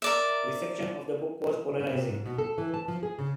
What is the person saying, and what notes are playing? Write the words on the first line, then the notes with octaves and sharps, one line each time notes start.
Reception of the book was "polarizing".
A#4 D5 E5
B3
C3
G#2
B2
A4
E3
A5
F3
G#4
C#3